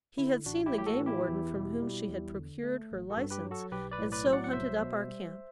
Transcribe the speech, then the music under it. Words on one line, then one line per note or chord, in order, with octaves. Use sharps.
He had seen the game-warden from whom she had procured her license, and so hunted up our camp.
D3 E4
A1 D4 F#4
E4 G4
A2
G4
F#4 A4
E3
E4 G4
E2
B2
G3
E2
D3
A3
A1
F#4 A4
G2
G4 B4
F#3
F#4 A4
B1 G4 B4
B4 D5
A2
B4 D5
F#3
D5 F#5
F#5
C2 C5 E5
B2
G3